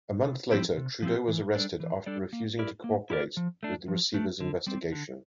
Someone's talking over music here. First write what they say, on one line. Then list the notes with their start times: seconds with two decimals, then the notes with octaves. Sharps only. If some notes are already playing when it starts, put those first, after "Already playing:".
A month later Trudeau was arrested after refusing to cooperate with the receiver's investigation.
0.25 C3
0.51 F3 C4 E4 G4
0.77 C3
1.02 F3 C4 E4 G4
1.28 E3
1.55 G3 D4 A4 D5
1.80 E3
2.06 G3 D4 A4 D5
2.33 A#3
2.59 E4 G4 A#4 D5
2.84 A#3
3.10 E4 G4 A#4 D5
3.37 F3
3.63 A3 D4
3.88 F3
4.14 A3 D4
4.40 D3
4.67 G3 C4
4.92 D3